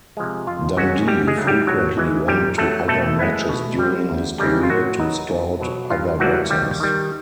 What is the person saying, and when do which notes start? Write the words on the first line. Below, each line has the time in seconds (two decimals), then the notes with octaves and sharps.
Dundee frequently went to other matches during his career to scout other boxers.
0.17 C3 F3 G#3
0.47 F2 F4
0.77 C3 D#3 F#3 G#3 C#4 F#4
1.08 F#2 G3 G4
1.27 G#3 G#4
1.38 C#3 F#3 A3
1.47 G3 G4
1.67 A2 F#3 F#4
1.97 E3 G#3
2.28 A#2 G3 G4
2.58 F#3 A3 A4
2.88 B2 A3 A4
3.19 G#3 B3 E4
3.49 B2
3.78 G3 C4
4.10 D2
4.39 C#3 E3 G3 G#3 C4 G4
4.63 F4
4.70 A2 F#3 F#4
4.99 F#3 B3 D#4
5.29 E2
5.60 B2 F#3
5.90 G2 F4
6.20 E3 F#3 G3 A#3 D4 F#4
6.50 D#2 G3 G4
6.80 D#3 G3